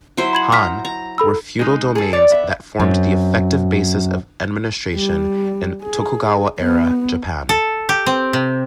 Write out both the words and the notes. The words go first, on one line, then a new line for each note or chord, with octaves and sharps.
Han were feudal domains that formed the effective basis of administration in Tokugawa-era Japan.
F#3 E4 C5
B5 G#6 F#7
A#5 D#6 F6 B6
A#5
A4 B5 E6
G#3 D#4
G#4 A4
C#5 D5
B3 E5
F#2 C4
G3
G#4
B3
A4
G4
C4
C3